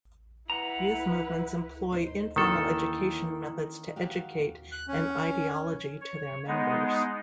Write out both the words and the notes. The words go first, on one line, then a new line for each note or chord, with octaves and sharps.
Youth movements employ informal education methods to educate an ideology to their members.
E4 B4 F#5 A#5
D#4 C5
D#3 E3 A#3 C#4 A4
F#4 G4 F5
F#6
C#4
C#5
G#3 B3 D#4